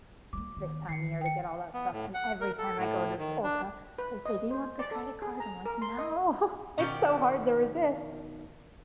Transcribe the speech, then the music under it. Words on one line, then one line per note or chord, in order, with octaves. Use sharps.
this time of year to get all that stuff, and every time I go to Ulta, they say, "Do you want the credit card?" I'm, like, “No.” It's so hard to resist.
G3 A#3 D6
D#3 B3
D#3 C7 C#7
G5 C#7
B3
A2
F#5
A#4
A4
A2
D#3
D4
B4
D#5
C5
D5
A4
G#4
A#5
A#4
C6
D#5
B2 D#3 F3 C#4 G4 D5